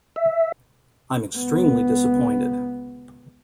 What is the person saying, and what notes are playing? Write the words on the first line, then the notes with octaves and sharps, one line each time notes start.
I'm extremely disappointed.
E5
C#2 B3